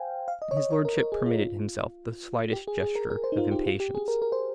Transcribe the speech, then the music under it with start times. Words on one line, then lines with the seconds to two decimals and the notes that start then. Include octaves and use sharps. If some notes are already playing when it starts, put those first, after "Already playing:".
His lordship permitted himself the slightest gesture of impatience.
Already playing: C5 F5 G5 G#5
0.28 F5
0.42 D#5
0.51 C#5
0.57 D#5
0.70 C#5
0.85 A#4
0.98 A#4
1.12 G#4
1.26 F4
2.53 G4
2.68 G#4
2.82 G#4
2.95 A#4
3.10 A#4
3.24 C5
3.32 D#4
3.38 F4
3.51 G4
3.67 F4
3.80 G4
3.95 G#4
4.08 A#4
4.22 A#4
4.32 C5